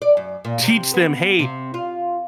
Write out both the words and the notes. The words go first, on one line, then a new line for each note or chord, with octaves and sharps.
Teach them, "Hey,
D5
F#2
A#2
C3
B3
C3
F4